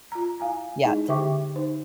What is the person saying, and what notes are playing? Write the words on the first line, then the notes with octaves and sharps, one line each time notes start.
Yeah, t
F4 A#5
E4 F5 G#5 A#5
G#3 D#4 E4 G#4 D#5
D3 G4 E5 G5 C#6 D6
D#4 C5